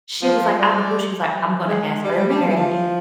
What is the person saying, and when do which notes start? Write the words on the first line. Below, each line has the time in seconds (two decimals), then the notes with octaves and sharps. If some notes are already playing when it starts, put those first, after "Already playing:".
she was, like, out the blue, she was like, "I'm gonna ask her to marry me."
0.21 F3
0.58 G3
1.67 G#3
2.03 G3
2.10 F3
2.16 G3
2.28 G3
2.39 F3
2.48 E3
2.55 F3